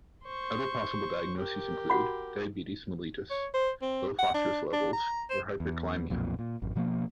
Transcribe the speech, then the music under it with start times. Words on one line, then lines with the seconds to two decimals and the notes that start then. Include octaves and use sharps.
Other possible diagnoses include: diabetes mellitus, low phosphorus levels, or hyperkalaemia.
0.25 C5 C#6
1.38 G4 A#4
1.90 F#4 F#5 B5
3.30 C#5
3.54 C5
3.82 C4
4.19 F#5
4.34 D4
4.73 D4
4.93 A#5
5.30 C5
5.60 E2
6.10 B1 F2 A#2
6.39 A#2
6.62 G#1 F2
6.76 B2 F3 F#3 A#3